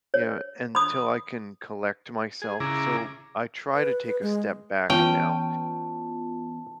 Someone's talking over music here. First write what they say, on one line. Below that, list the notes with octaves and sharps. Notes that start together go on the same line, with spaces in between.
yeah, until I can collect myself, so I try to take a step back now
C#5
B5 D#6
G#4
C#3 E4 G#4 A#5 D6
B4
B4
G#3
E3 B3 C#4 F4 G5 A5